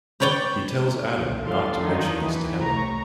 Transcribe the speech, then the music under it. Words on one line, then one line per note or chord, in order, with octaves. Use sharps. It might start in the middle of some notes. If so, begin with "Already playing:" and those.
He tells Adam not to mention this to Helen.
G4 B4 C#5 D5 G5
B1
A1 G3 A4 D5 F5 C6
E2 A#2 D#3 D4 D#4
E3
C2 A2 A#5 C#6